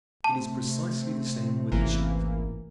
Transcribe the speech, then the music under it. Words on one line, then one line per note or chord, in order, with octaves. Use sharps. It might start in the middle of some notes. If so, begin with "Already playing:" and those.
It is precisely the same with the Church.
C3 A3 C4 A5
G#1 C#2 E3 A#3